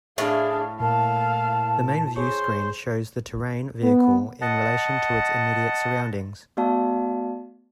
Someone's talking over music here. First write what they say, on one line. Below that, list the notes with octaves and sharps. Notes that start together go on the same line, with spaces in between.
The main view screen shows the terrain vehicle in relation to its immediate surroundings.
A2 D4 G#4 F5
A#2 A#4 F5 A5
G#4 C5 C#5 C#6
B3
D#5 F#5 A5
A3 B3 F#4 D5 F5 A5